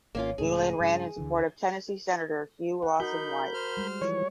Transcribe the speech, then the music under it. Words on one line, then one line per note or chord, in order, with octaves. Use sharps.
Newland ran in support of Tennessee Senator Hugh Lawson White.
G#1 A#3 C#4 F4
C#2 A2 C#3 G#4
G2 C#3
D2 D3 E3
F#5
D#4 F#4 A#4 B5 G6
C5 F6
G3 G#3
E3 F3 C#5